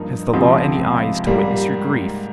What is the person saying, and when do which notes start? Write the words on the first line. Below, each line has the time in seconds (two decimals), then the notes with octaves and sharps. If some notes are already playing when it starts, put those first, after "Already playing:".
Has the law any eyes to witness your grief?
Already playing: G2 F3 A#3 D#4
0.34 C#2 C3 F3 C4
1.26 G#2 G3 A#3